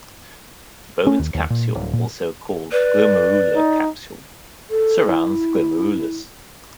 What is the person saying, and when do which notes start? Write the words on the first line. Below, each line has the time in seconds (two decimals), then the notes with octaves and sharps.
The Bowman's capsule, also called the glomerular capsule, surrounds the glomerulus.
1.07 C#4
1.19 D#2
1.34 D#2
1.50 A#2
1.75 D1
1.93 A#2
2.72 B4 D5
3.56 D#4
4.70 A4
5.08 E4